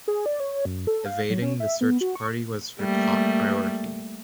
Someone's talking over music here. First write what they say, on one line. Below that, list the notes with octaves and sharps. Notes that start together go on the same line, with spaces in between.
Evading the search party was her top priority.
G#4
D5
C#5
F#2
A4
F5
F#3
C#4
E5
B3
F#4
C#6
G3 A3 A#3